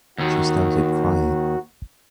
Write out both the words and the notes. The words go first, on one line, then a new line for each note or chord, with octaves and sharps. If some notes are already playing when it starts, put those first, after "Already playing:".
She started crying.
D#2 D#3 F#4